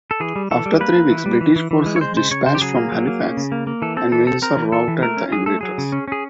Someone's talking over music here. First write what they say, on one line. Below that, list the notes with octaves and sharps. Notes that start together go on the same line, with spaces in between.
After three weeks, British forces dispatched from Halifax and Windsor routed the invaders.
A4
E3 G#4
G3
E3 A4
G3
A#3 B4
A#3
E3
G3
E3
E3
E3
G#3
C#5
G#3 C5
C#3 C5
C#3 C#5
C#3 C5
G4
F#3 G#4
A#3
F#3
A#3
C#4
C#3
A#3
A#3
E3 A4
C4 A4
E3 A4
C4 A4
C4 A#4
E3
E3 A4
E3
A3 A#4
C#4
F#3 G#4
A3 A4
F#3 G#4
C#3
C#4
C#4 G#4